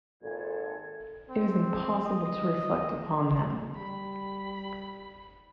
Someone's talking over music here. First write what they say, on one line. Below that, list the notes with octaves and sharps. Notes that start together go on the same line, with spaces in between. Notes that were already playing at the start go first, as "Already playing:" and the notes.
It is impossible to reflect upon them.
G#1 A#2 A4 G#6
C4
D#5
G3 B5